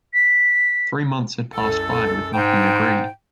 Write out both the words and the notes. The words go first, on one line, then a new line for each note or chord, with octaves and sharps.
Three months had passed by with nothing agreed.
B6
C2 F#2 A4
G#2 G5